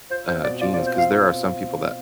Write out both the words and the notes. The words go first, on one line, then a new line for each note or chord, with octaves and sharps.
uh, genes 'cause there are some people that
F4 C5
C4 C5
B2 D5
F4 D5
D5
C4
C5
F4 F5